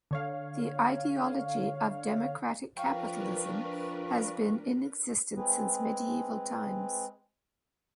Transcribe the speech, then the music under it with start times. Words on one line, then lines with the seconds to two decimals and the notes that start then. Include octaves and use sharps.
The ideology of "democratic capitalism" has been in existence since medieval times.
0.11 D3 C#5 F5
2.77 F3 D4 A#4 B4 F5 G5 C#6
5.35 G#3 C4 G#4 B4